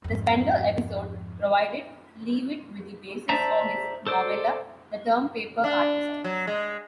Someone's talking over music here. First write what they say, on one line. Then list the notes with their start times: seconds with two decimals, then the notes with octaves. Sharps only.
The Spender episode provided Leavitt with the basis for his novella "The Term-Paper Artist".
0.04 F2 G#2
3.29 C5 D5 E5 A5 A#5
4.07 A4 C5 D5
5.64 D4
6.24 F#3
6.47 G#3